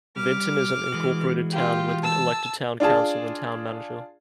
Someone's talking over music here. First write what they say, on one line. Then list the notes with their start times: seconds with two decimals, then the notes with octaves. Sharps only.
Vinton is an incorporated town with an elected town council and town manager.
0.16 G3 D6 F6
0.92 E3 G#3 F#4
1.52 F4 G4
2.03 A5 E6
2.80 D4 F4 G#4 A5